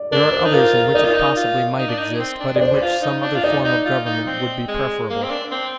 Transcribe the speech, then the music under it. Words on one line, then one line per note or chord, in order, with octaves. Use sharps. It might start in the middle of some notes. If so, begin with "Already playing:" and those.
There are others in which it possibly might exist, but in which some other form of government would be preferable.
Already playing: D5
D4 A#4
C5
D#4
F4 A#4
A#4
D#4 D5
F4
D#4
F4
D#4
D4
D#4
C4
D4
D5
D4 C5
F4
D#4
D4
F4
D#4 D5
D#4
F4
D#4
C4
G#3
A#3
C4
D4
C4